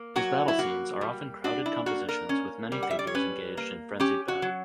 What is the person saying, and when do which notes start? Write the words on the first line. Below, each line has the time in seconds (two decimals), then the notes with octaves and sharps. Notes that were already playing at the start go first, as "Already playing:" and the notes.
His battle scenes are often crowded compositions with many figures engaged in frenzied battle.
Already playing: A#3
0.16 F#3 F#4
0.48 E4
0.59 A#3 F#4
1.01 G3
1.44 D4 F#4
1.66 E4
1.86 A#3 F#4
2.09 A#4
2.29 C#4
2.72 G3
2.83 F#5
2.90 E5
2.99 D5
3.07 C#5
3.14 C#4 B4
3.57 A#3
4.00 C#4 G4
4.28 F#4
4.42 F#3